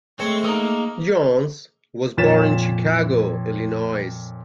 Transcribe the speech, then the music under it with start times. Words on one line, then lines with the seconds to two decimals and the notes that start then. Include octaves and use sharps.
Jones was born in Chicago, Illinois.
0.20 G#3 A3 C4 C#5
0.44 A#3 D#4 D#6
2.17 F2 A#2 C#5 A6 B6 E7